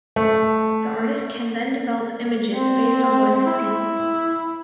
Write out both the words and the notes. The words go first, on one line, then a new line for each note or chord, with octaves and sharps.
The artist can then develop images based on what is seen.
A3
C4
E4